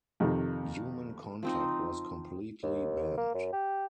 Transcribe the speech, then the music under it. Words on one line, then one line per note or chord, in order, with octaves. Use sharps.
Human contact was completely banned.
F2 C3 D#3
F3 C4 D#4
D#2
A#3
F#2
G4